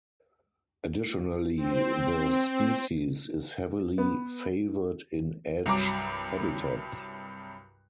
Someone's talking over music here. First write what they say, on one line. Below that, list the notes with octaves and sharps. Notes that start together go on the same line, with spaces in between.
Additionally the species is heavily favored in edge habitats.
C4
B3
C2 G2 F#3 A#5 D6 D7